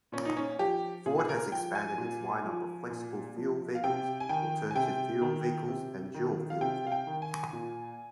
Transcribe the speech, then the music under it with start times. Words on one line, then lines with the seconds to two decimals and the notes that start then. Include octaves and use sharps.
Ford has expanded its lineup of flexible-fuel vehicles, alternative fuel vehicles, and dual-fuel vehicles.
0.12 A#2 C#4
0.25 D#4
0.37 C#4
0.59 F3 G4
1.06 A#2 G#4
1.19 G#4
1.29 A#4
1.52 F3 G5
1.75 G#5
1.98 A#2
2.44 F3
2.90 A#2
3.36 F3
3.75 F5
3.84 C3 G5
4.20 G#5
4.29 D#3 G5
4.71 G#5
4.75 C3 G5
5.22 D#3
5.69 C3
6.14 D#3
6.50 F5
6.61 C3 G5
6.87 F5
6.92 G5
7.07 D#3
7.22 G#5
7.53 A#2